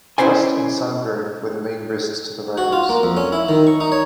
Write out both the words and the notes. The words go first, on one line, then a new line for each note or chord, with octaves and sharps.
Dust and sunburn were the main risks to the riders.
C#4 E4 C5 D5 G#5
F#4
F4
A#3
F2
C#4
E4
D#3
C#6
D#4
C#5